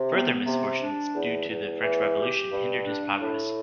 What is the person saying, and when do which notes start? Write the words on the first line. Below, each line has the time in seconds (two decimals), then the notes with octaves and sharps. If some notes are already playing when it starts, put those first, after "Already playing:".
Further misfortunes due to the French Revolution hindered his progress.
Already playing: C3
0.11 B3
0.46 C3
0.80 D4
1.14 E2
1.48 E2
1.83 E3
2.17 G4
2.51 G2
2.86 D4
3.20 A2